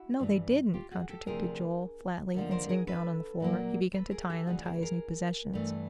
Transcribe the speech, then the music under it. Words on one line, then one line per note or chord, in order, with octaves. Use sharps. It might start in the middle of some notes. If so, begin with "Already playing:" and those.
"No, they didn't," contradicted Joel, flatly; and sitting down on the floor he began to tie and untie his new possessions.
Already playing: E4 F#4
G2 E3 G3
F4 G4
F#4 G#4
G4 A4
D2 C3 F3 A3 G#4 A#4
D#2 D3 F3
A#4 C5
G#4 A#4
A4 B4
A#2 F#3 A#3
A4 B4
G#4 A#4
G4 A4
D2 C#3 E3 F#4 G#4
G#4 A#4
G#4 A#4
G2 E3 A3